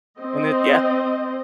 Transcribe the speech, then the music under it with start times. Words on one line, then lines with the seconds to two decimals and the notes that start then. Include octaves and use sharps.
and it yeah.
0.19 C4 C5 D#5